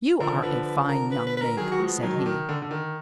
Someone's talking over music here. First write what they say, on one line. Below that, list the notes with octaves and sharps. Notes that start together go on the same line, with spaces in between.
"You are a fine young Mink," said he.
D3 F3 A#4
D3 F3 B4
B4
A#4
B4
B4
B4
A#4
D#3 F#3 G#4
F#4
F3 G#3
B3
D#3 F#3 D#4
D4
D#3
D3
D3
D#3